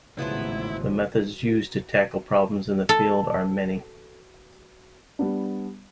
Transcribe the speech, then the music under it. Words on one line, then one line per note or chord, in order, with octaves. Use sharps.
The methods used to tackle problems in this field are many.
A1 D#2 G#2 C#3 F3 F#3 B3 E4
A4
G3 B3 D4